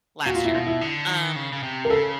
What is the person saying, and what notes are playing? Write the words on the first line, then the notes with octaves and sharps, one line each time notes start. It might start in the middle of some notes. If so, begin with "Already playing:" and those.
last year. Um,
A#2 F#4
F4
E4
B2 F4
E4
D3
D#3
C#3
C#3
C3
A#4
C#3 A4